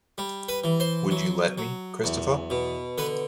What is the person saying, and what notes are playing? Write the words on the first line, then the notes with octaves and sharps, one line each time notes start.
Would you let me, Christopher?
G3
B4
E3
C5
F#3
F#3
E2
B2
D3 B4